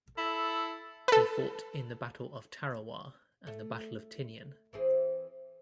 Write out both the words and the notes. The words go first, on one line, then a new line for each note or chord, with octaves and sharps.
He fought in the Battle of Tarawa and the Battle of Tinian.
E4 A4
A4 B4
A3
E3 C4 G#4